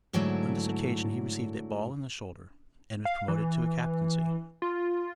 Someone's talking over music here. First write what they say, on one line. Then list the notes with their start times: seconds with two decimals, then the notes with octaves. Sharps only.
On this occasion he received a ball in the shoulder, and was promoted to a captaincy.
0.13 G#2 D3 F#3 A3 E4
3.05 F5
3.28 E3
4.62 F4